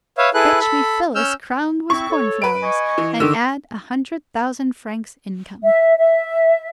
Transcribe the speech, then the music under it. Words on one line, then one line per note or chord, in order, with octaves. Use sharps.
Fetch me Phyllis crowned with corn-flowers, and add a hundred thousand francs income.
B4 C#5 E5 F5
E4 G#4 A4 B4 F#6
A4 B5
C#4 E6 F6 G6
C4 E4 C#6
A4 C#5
B4 D7
D#5 G#5 C#6
E3
D3 D#3 D#5 D6 E6
E5
E5